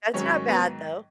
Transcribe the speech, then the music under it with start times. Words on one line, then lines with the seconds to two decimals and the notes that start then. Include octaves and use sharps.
That's not bad, though.
0.14 G#2 D#3 F#3 C#4 C#5
0.48 B3 B4